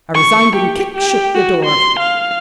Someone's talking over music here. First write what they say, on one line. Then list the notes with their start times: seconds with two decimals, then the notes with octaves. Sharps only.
A resounding kick shook the door.
0.15 C#6
0.56 G4
0.94 G4
1.35 F#4
1.65 C6
1.99 F5